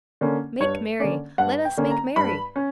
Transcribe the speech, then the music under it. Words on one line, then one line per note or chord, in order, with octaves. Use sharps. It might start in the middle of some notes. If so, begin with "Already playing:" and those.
Make merry, let us make merry.
D3 A#3 C#4
G2 C#5
D3 A#3 C#4 D5
G2 F#5
G5
D3 A#3 C#4
A#5
G2 B5
C#4